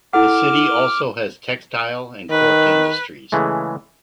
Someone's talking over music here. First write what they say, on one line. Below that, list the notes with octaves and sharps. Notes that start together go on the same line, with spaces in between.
The city also has textile and cork industries.
E4 A4 F#5 D6 F6
D#3 B4
C#3 E3 G#3 A3